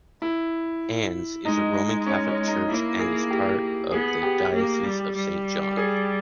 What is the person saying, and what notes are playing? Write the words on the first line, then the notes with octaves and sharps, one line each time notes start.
Ann’s is a roman catholic church and is part of the diocese of Saint-John.
E4
G#3 D#4
C#4
C#4
D#4
A#3 E4
G#4
G4
B3 G#4
G4
A#3
G3
G3
G#4